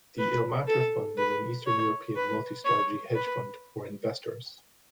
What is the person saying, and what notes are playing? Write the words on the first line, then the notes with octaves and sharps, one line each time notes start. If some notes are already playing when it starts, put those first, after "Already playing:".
The Ilmatar Fund is an Eastern European multi-strategy hedge fund for investors.
B4
A4
B4
C#5
B4
C#5
B4